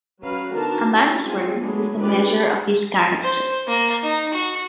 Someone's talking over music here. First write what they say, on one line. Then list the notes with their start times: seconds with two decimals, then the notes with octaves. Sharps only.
A man’s word is the measure of his character.
0.20 F#3 C#4 F#4 B4 F5
0.53 D3 B3 D#4 F#4 A#4 A5
0.89 F#3 C#4 E4 G4
1.23 F3 G#3 C4 F4 G#5
1.58 F#3 G#3 A3 B3 D4
1.99 C#4 G4 G#4 B4 D5
3.22 C5
3.68 A#3
4.03 D#4
4.34 F#4